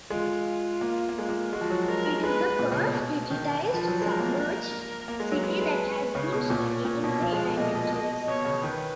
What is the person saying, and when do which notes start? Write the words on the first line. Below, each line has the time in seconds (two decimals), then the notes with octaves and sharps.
It is the first digitized submerged city that has been studied in three dimensions.
0.10 G#3 F4
0.81 A#3
1.09 A#3
1.17 G#3 F4
1.29 A#3
1.53 G#3 F#4
1.61 F3
1.70 F#3
1.88 G#3 A#4
2.06 G#3
2.24 G#3 B4
2.41 G#3
2.59 A#2
2.72 C#3
2.83 B2
3.30 D#3
3.65 B4
3.74 F3
3.88 F#3
4.02 G#3 A#4
4.20 A#3
4.37 A#4
5.08 A#3
5.20 G#3
5.32 F#3
5.43 G#3 B4
5.61 G#3
6.14 C#3 C#5
6.32 B2
6.50 A#2 C#5
6.85 A#2 C#5
7.04 B2
7.21 F3 F5
7.33 G#3
7.45 B2
7.57 A#2 D#5
7.75 B2
7.92 B2
8.28 B2 C#5
8.45 C#3
8.63 D#3 B4